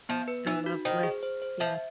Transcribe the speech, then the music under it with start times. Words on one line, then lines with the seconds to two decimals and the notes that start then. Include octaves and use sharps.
I love lists. Yeah.
0.09 F3 B3
0.28 B4
0.47 E3 D#4
0.66 F#4
0.85 D#3 C5
1.03 G#4
1.23 C5
1.42 C5
1.60 F3 E5